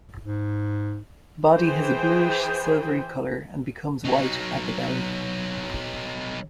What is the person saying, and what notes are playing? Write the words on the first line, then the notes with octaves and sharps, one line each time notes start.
The body has a bluish silvery colour and becomes white at the belly.
G#2
E3 G#4 C5 G5
F#3 D#4